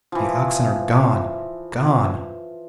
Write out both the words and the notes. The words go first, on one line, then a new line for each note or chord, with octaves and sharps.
The oxen are--gone--gone!'
E3 F3